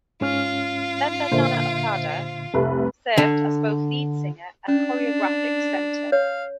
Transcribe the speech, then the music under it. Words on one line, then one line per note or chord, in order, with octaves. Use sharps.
Member Nana Okada served as both lead singer and choreographic center.
G#2 C#4 F4 F6
A#2 D3 C5 E5
F1 C2 A3 B4
D3
C#4 D4
C#5 F5